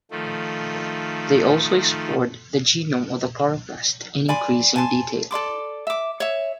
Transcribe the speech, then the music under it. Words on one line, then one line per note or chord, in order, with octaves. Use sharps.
They also explored the genome of the chloroplast in increasing detail.
D#3 F3 A3
D5 G#5 B5 C6
G#5 A5 C6
A4 D5 C6 D6
E5 D6
C#5 E5